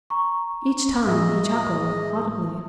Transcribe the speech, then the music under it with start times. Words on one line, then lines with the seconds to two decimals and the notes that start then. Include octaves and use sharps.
Each time he chuckled audibly.
0.10 A#5 C#6
1.07 A2 G#4 D#5 E5